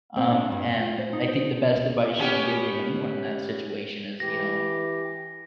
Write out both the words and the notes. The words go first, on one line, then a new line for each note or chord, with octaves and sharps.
Um, and I think the best advice you can give to anyone in that situation is, you know
C4
D4
G2
C3
F4
C5
D#4
C5
B3 C#4 G4
E3 G4 A#6